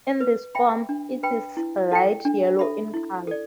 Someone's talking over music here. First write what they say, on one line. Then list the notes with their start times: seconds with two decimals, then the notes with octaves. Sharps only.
In this form, it is light yellow in color.
0.21 B4
0.55 E5 G5 B5
0.89 D4
1.23 B4 G5 B5
1.57 E4
1.92 A4 G5
2.25 D4
2.59 A4 E5 B5
2.94 E4
3.27 A4 D5